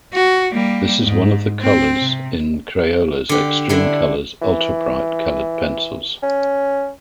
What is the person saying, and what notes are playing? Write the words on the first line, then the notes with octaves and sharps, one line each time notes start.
This is one of the colors in Crayola's eXtreme colors ultra-bright colored pencils.
F#4
G3 A#3
G#2
C4
C3
D3 G4
D3 D4 E4
E3
C#4